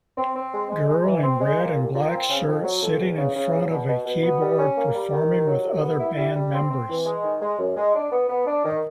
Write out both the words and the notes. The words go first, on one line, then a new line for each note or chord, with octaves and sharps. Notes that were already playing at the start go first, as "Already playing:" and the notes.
Girl in red and black shirt sitting in front of a keyboard performing with other band members.
C4
C4
G#3
G#3
G#3
E3
C4
G#3
A#2
C2
A#2
C4
C#3
F2
F#3
F2
E2
C#3
C#3
E2
B2
B2
B2
B3
G3
C#4
A#3
G3
D#3
C3
F#3
C2
B3
E4
G3
G3
C4
C4
E3
G#3
D#3
G#3
F#2
G#3
D4
B3
B3
D4
D#3